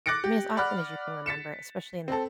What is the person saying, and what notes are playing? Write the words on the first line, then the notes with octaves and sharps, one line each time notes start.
mean, as often as you can remember, especially in that
D6 F#6 A6 A#6 C#7 D7
G4
D5 F#5 B5 F6 F#6
A6 B6 C#7 E7
C4 A4